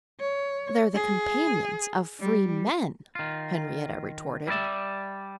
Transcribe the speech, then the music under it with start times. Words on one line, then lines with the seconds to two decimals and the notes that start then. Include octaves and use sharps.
"They're the companions of freemen," Henrietta retorted.
0.20 C#5
0.95 G#4
2.20 G3
3.15 D#3 F4
4.47 G3 E4 A#4 D5 E5